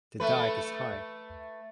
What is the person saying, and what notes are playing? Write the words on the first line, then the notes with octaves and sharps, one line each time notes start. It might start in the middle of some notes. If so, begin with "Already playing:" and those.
The dyke is high.
A3 B4